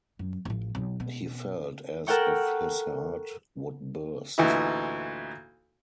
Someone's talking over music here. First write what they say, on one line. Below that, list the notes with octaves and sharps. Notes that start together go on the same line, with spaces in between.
He felt as if his heart would burst.
F#2
A1 F3
B1
B2
A4 A#4 F#5 G5 C#6
D2 A#2 E3 D#4 E4